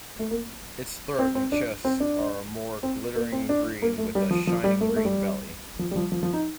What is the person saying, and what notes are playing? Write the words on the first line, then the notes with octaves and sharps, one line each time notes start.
Its throat and chest are a more glittering green with a shining green belly.
A3
A#3
C4
C4
D4
C4
D4
C4
A#3
C4
D4
A#3
A3
G3
F3
F3
G3
A3
A#3
A3
G3
F3
G3
F3
F3
F3
D#4